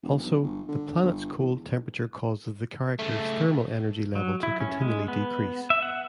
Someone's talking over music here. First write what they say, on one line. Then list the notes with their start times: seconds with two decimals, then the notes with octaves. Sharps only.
Also, the planet's cold temperature causes the characters' thermal energy level to continually decrease.
0.03 E1
0.23 B1
0.43 G1
0.68 D3
1.03 G1
1.39 E2
2.99 C#3 A3
4.15 F#3
4.43 E4
4.60 C#4
4.82 G#3
5.08 B3
5.70 E5
5.82 F#5